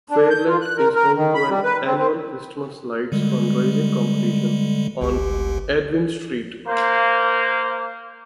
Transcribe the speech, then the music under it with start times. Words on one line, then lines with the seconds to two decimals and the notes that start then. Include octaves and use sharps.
Fairlight is home to an annual Christmas Lights fundraising competition on "Edwin Street".
0.11 D4
0.30 G6
0.47 F4
0.61 F#6
0.77 A#4
0.95 A#4
1.17 D#3
1.34 B5
1.50 G3
1.64 B4
1.86 C4
1.98 C4
3.12 D3 G3 G#3
5.01 G1 C#2 G4
6.67 A#3 C5